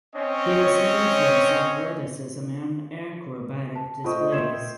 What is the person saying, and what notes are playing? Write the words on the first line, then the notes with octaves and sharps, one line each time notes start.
He was known for his athleticism and acrobatic displays.
C4 C#4 C#5 D#5
A5
A3 F4 C5 D#5 G5 C#6
C5 E5 G#6 E7